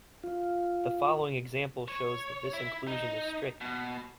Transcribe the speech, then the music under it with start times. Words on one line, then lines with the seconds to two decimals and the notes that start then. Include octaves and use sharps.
The following example shows that this inclusion is strict.
0.24 F4
1.88 C#5
2.53 E4
2.87 D#4
3.61 B2